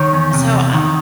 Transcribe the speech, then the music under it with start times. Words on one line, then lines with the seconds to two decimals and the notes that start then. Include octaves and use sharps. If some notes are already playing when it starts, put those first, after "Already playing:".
So, I
Already playing: D#3 C#5
0.13 E2
0.34 C3
0.54 E2
0.74 D#3